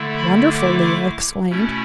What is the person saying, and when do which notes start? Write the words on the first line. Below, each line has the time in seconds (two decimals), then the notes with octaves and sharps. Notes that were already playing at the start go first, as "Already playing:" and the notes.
"Wonderful!" Lea exclaimed.
Already playing: D3 A3 E4
0.18 B5
0.51 D6
1.50 B2 A3 C#4 E4